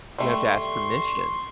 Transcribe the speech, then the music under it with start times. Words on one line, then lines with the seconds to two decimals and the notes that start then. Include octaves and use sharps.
You have to ask permission.
0.18 G3 A3 C6 C#6